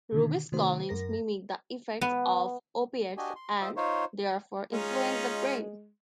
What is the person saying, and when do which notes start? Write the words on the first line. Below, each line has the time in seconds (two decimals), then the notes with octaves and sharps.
Rubiscolins mimic the effects of opiates and, therefore, influence the brain.
0.12 B2 D3 D#3
0.52 C3 D#3 A3 F#4 C5
0.89 F#2 A#4 A#6
2.01 B3
3.17 D4 F#4 G4 D#5 G#5
3.36 C6
3.60 F4 C5 D#5 E5
3.76 D#4 F4 C5 C#5
4.73 G#3 C#4 D#4 F4